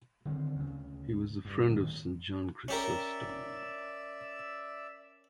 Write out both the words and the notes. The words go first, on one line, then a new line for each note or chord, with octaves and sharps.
He was a friend of Saint John Chrysostom.
D3 D#3 C4
D2 C#3
G2
D2 A2 D#3 D4
C#4 G4 A#4 D5 E5 E6